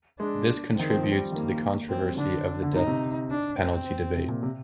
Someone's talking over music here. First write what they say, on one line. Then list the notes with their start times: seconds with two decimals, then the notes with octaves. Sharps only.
This contributes to the controversy of the death penalty debate.
0.19 G#3 D4
0.76 D#3 C4
0.90 F3
1.04 F3
1.12 G3
1.18 F3
1.32 D#3 A#3
1.89 F3 C4
2.03 G3
2.17 D3 D4
2.62 D3
2.73 C3 D#4
2.87 C3
3.30 D4
3.58 C4
4.15 C3
4.28 A#2
4.43 C3